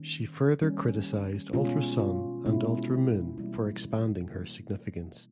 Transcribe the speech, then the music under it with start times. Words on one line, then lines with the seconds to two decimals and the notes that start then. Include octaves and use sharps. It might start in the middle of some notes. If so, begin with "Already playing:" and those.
She further criticized "Ultra Sun" and "Ultra Moon" for expanding her significance.
Already playing: D#3 G3 A#3 C#4
0.61 D#3 G3 A#3 C#4
1.53 B2 G#3 C#4 F4
1.99 F4
2.46 B2 G#3 C#4 E4
3.38 E3 G3 A#3 E4
4.30 E3 G3 A#3